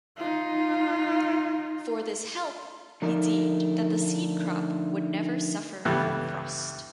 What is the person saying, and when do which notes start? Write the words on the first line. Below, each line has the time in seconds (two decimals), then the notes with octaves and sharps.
For this help he deemed that the seed crop would never suffer from frost.
0.17 D#4 F4
3.02 D3 F3 A3 D4 D#4 A#4
5.85 C#2 G2 E3 G3 A3 B3